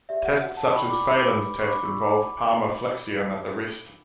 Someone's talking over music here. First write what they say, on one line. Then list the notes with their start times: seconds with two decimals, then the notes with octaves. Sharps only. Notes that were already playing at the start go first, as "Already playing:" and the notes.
Tests such as Phalen's test involve palmarflexion at the wrist.
0.09 G4 D5 E5
0.25 F#5
0.41 F#4 C#5 F#5
0.57 F#5 A5
0.67 C#6
0.73 E4 A4 D5 G5 B5
0.89 B5 D6
1.04 E4 G4 C#5 B5 D6
1.37 G4 B4 D5
1.60 C#6
1.68 D4 G4 B4 D5 B5 D6
1.85 C#6 E6
2.00 F#4 A4 D5 B5 D6